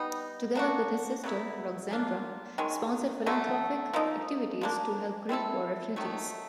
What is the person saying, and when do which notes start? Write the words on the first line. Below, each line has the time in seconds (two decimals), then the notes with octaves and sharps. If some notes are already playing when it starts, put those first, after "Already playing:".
Together with his sister Roxandra sponsored philanthropic activities to help Greek war refugees.
Already playing: G3 B3 D#4
0.55 A#3 D4 F#4
1.24 C#3 F#3 B3 E4
1.91 A#3 D4 F4
2.58 D#3 G#3 C#4
3.26 D3 F#3 A3
3.93 F3 A#3 D#4
4.61 F3 A#3 D4
5.29 G3 C4 E4 A4
5.96 C3 D#3 F#3 A3